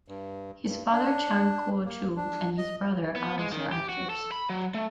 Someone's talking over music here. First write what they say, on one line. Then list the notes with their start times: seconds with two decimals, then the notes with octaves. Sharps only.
His father Chang Kuo-chu and his brother are also actors.
0.08 G2
0.67 G2
0.93 D4
1.85 A#3
2.16 D4
2.58 D#5
3.16 B3
3.39 G#3
3.52 D#3
3.72 G4
3.89 F#4
4.10 A4
4.32 B5
4.50 F#3
4.74 A3